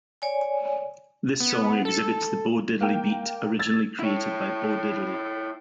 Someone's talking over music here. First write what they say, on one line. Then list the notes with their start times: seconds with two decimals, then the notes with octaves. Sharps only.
This song exhibits the Bo-Diddley beat originally created by Bo Diddley.
0.22 C#5 D5 G#5
1.40 B3
1.85 A4
2.81 A#3 G5
3.59 E6 G#6 A6
3.99 E4 C#5